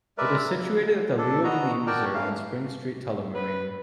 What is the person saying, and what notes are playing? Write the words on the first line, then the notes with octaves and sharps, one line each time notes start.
It is situated at the Leo Dineen Reserve in Spring Street Tullamarine.
G#3 A#4 B4 D5 E5
D#2
D4 A4
B3 F#4 D#5 A#5
F#4 A#4 D5 G5 A5
F#2 E3 A3 F5
B4